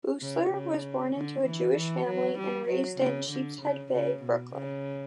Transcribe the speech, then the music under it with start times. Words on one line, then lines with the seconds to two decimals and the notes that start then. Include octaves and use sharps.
Boosler was born into a Jewish family and raised in Sheepshead Bay, Brooklyn.
0.22 C#3
0.53 C#3
1.15 D3
1.45 E3
1.76 E3
2.06 F#3
2.38 G3
2.69 F#3
3.00 C#3
3.31 D3
3.62 C#3
3.92 C#3
4.23 B2
4.54 C#3